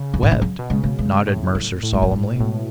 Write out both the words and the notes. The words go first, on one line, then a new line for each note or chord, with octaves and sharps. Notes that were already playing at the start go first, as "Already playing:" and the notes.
"Webbed," nodded Mercer solemnly.
Already playing: C#3
F#2
G#2
A2
F#3
B2
C#3 G#3
A3
G#3
A2
F#3
A2
G#3
F3
F#3
B2
A2 G#3